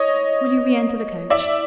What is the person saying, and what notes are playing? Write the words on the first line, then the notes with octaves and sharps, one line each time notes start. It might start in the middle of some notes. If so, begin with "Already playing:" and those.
Will you re-enter the coach?
Already playing: C#5 D#5
D5 E5